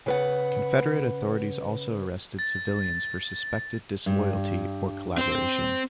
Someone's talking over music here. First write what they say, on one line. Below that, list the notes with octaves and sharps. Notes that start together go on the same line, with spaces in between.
Confederate authorities also arrested civilians for suspected disloyalty or collaboration.
C#3 B4 F#5
A6
G2
C4 C5